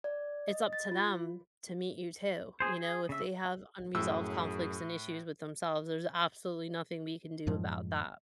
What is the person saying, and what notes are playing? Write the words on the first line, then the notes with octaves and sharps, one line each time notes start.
it's up to them to meet you too. You know, if they have unresolved conflicts and issues with themselves, there's absolutely nothing we can do about that.
D5
D#5
A6
F4
G#4 C5
G#4
C#3 E5
F#2 A2 G#4 E6
F#2 A2 F3 G#3